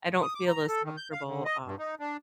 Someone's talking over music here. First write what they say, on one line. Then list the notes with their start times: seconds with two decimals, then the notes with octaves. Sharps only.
I don't feel as comfortable, um
0.22 D#6
0.35 D6
0.47 A#5
0.68 A4
0.83 D#3
0.97 G6
1.12 F5
1.26 D3
1.45 D#5
1.65 G2
1.79 D#4
2.00 D4